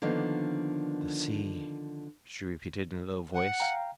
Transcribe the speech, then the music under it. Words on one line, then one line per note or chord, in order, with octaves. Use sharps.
"The sea," she repeated in a low voice.
D3 D#3 F3 A#3 B3 D4
F#5
F5 G5 A#5